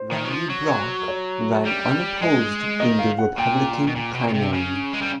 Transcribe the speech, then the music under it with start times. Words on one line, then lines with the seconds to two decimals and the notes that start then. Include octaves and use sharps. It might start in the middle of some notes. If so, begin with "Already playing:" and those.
Randy Brock ran unopposed in the Republican primary.
Already playing: C5
0.11 D#3
0.25 F#3
0.31 F3
0.50 F#3
1.08 C#5
1.65 G3
2.22 G#3 D#5
2.80 D#3 D#5
2.99 F5
3.18 F#5
3.38 A#2 G5
3.87 B2
3.96 A#2
4.14 B2
4.28 B2
4.34 C3
4.53 C#3
4.93 G#3
5.02 G3